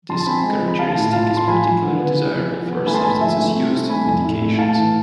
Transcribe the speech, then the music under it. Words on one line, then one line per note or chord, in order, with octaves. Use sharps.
This characteristic is particularly desirable for substances used in medications.
F3 A5 C6
C4 G#5 B5
G#3
F3
B5
F4 F5 A5
A2
F4 F5 A5
A2
C6
F3 G#5 B5
F3
D3
B3
E4
F3
F3
B3
A3 G#5 B5
A5 C6
G#2 G#5 B5
F3 E5 G#5
A3
C4
A3
A3 G#5 B5
F2
A2
A3
A2 F5 A5
E3